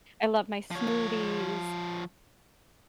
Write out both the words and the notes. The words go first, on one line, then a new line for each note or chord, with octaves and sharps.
I love my smoothies.
F3 C#5